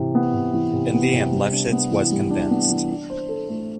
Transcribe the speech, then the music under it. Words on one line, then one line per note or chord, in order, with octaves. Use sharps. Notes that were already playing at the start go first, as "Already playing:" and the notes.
In the end Lefschetz was convinced.
Already playing: C3 E3
B3
C3
E3
C3
B3
C3
G3
D4
B3
E3
G3
D4
B3
E3
D4
C5
A4
A3